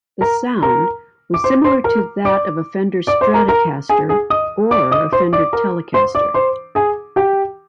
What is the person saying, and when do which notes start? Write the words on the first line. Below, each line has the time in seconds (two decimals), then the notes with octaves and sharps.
The sound was similar to that of a Fender Stratocaster or a Fender Telecaster.
0.21 A#4 A#5
0.63 A#4 A#5
1.34 D6
1.44 C5 C6
1.64 C5 C6
1.84 A#4 A#5
2.25 D5 D6
3.07 D5 D6
3.21 C5 C6
3.34 A#4 A#5
3.48 A#4 A#5
3.89 G#4 G#5
4.09 G#4 G#5
4.30 D#5 D#6
4.71 D5 D6
4.91 D#5 D#6
5.13 C5 C6
5.33 D5 D6
5.53 A#4 A#5
5.94 C5 C6
6.15 D5 D6
6.34 C5 C6
6.75 G#4 G#5
7.16 G4 G5